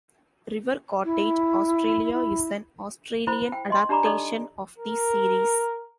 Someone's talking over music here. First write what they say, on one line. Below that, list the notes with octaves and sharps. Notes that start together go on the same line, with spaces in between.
River Cottage Australia is an Australian adaptation of the series.
E4
E4
E4 C5 B5
G5
D#5 C6
D4 G4 D5 A#5 B5 D6
D4 D#4 A4 D5 D#5 D6
A#4